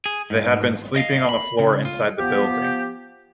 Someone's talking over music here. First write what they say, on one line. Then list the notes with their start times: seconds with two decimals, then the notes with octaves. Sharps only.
They had been sleeping on the floor inside the building.
0.06 G#4
0.30 G#2
0.96 D#5 F5
1.29 B5
1.59 C#3
1.85 F4
2.19 F3 B3 G4